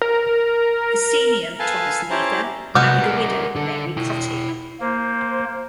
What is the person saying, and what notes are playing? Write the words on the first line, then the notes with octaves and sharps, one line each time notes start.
The senior Thomas Meagher married a widow, Mary Crotty.
A#4
A4 B4 F5 G#5 A5
C#4 E4 G4 C5 A5 A#5
C2 G#3 B3 F#4 D6 F6 G6
G3 A#4
D3 A4
E4 G5
A#3 C5